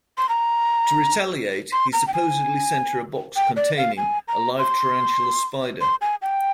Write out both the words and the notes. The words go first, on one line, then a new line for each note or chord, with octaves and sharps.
To retaliate, he supposedly sent her a box containing a live tarantula spider.
C6
A#5
C6
A#5
G5
G#5
G5
D5
F5
G#5
A#5
C6
C6
G#5
G5